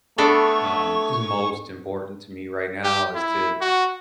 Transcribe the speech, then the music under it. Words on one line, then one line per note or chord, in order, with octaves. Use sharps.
um, is most important to me right now is to
A3 B3 D4 A4 C#5
G4
E4
F#4